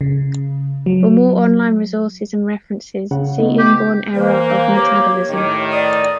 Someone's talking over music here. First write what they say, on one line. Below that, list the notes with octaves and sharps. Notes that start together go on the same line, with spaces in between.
For more online resources and references, see inborn error of metabolism.
C#3
F#3
C#3 F#5
A3 B3 D#4
G4
E3 A#3 C5
G4 C#5
A2 D#3 G4
D5 D#6